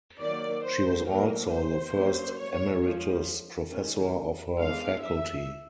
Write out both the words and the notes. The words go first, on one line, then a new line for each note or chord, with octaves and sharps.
She was also the first emeritus professor of her faculty.
D#3 F#3 A#3 D5
C5
F#3 A#3 D4 A#4
C5
F#3 A#3 C#4
C#5
F3 G#3 C#4
D#3 G#3 C#4
E3 G#3 B3 D4 F5
E5